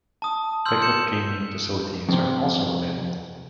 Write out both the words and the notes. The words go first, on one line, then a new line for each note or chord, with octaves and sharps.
Picnicking facilities are also available.
A5 D#6
C6 E6 F6 G6 F#7
G6 C#7 E7
F2 C3